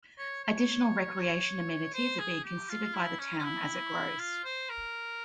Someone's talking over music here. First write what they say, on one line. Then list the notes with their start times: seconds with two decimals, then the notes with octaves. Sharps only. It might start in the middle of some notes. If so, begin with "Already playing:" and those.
Additional recreation amenities are being considered by the town as it grows.
0.18 C#5
0.44 C#5
1.94 C5
2.19 G#4
2.44 G4
2.69 F4
2.94 E4
3.19 C#4
3.38 C#4
3.44 E4
4.19 F4
4.44 C5
4.69 A#4